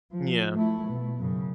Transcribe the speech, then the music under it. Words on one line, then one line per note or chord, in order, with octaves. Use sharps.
N yeah.
F3
A3 E4
B2
F#2 C#3